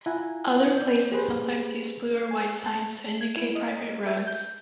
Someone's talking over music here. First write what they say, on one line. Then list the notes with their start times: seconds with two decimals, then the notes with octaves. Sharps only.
Other places sometimes use blue or white signs to indicate private roads.
0.06 E4 F4 F#5 G#5 A#5
0.78 D5 G6
1.12 G4 G#4 B4 C5
2.31 G#5
2.66 A5
3.21 G#6
3.37 E4
3.55 D#5
4.06 E5
4.27 G6